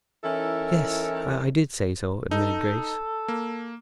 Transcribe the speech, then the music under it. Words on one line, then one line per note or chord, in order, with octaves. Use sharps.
"Yes, I did say so," admitted Grace.
E3 C#4 D#4 E4 A4 A#4
D#4 A4
A#3